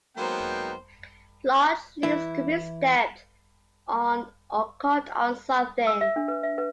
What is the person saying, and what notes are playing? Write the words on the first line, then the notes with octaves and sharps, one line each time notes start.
Large loops could be stepped on or caught on something.
F#3 G#3 A#3 B3 D#4 C5 G5
E3 E4
E6
E5
D4
B4
E5
B4